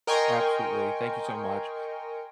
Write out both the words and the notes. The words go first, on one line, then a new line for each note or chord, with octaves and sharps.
Absolutely. Thank you so much.
A#4 D#5 G5 G#5 C6 C#6